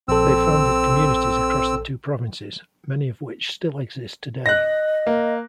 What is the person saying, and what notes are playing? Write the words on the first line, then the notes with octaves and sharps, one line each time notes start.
They founded communities across the two provinces, many of which still exist today.
A#1 C4 A4 E6
D#5 F#6 A#6
A#3